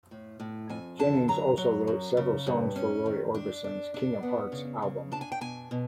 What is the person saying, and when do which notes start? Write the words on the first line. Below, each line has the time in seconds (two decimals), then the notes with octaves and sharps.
Jennings also wrote several songs for Roy Orbison's "King Of Hearts" album.
0.11 A2
0.40 A2
0.69 F2 G#5
0.99 D3 A5
1.28 F#3 A#5
1.57 F#3
1.87 F#2
2.17 C#3
2.47 G2
2.76 C#4
3.06 D#3
3.35 D4
3.64 D4
3.94 D4
4.23 B3
4.52 C#3
4.82 C#3
5.12 D4 A5
5.21 G#5
5.32 G5
5.41 B2 G#5
5.71 B2